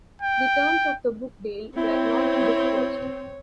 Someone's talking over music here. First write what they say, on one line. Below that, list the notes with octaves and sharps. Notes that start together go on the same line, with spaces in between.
The terms of the book deal were not disclosed.
G5
C4 E4 C#5